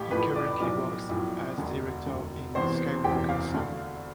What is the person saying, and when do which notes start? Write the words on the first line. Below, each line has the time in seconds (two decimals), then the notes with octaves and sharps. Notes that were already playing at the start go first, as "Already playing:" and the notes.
He currently works as director in Skywalker Sound.
Already playing: A1 A2 A3 G4 F5
0.11 A1 A2 F3 A3 B4 B5
0.36 D5 D6
0.60 B1 A2 F3 D5 D6
1.09 B1 A2 F3
1.58 E1 D2 D3
2.06 E1 D2 D3
2.55 E1 E2 C3 E3 C5 C6
3.04 E1 E2 C3 E3 G4 G5
3.29 F5
3.53 D2 D3 A3